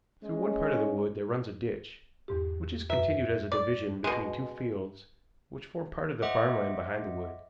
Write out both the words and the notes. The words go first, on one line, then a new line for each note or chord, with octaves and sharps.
Through one part of the wood there runs a ditch, which is continued as a division between two fields which form part of the farm land behind the wood.
G#3 C#4
E2 G#2 G4
F#2 B4 E5
D5
B2 G#3
C5 D#5 E5 F#5 D6